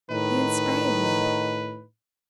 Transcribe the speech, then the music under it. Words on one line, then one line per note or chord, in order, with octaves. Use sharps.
"You inspired me."
A2 D#3 D#4 B4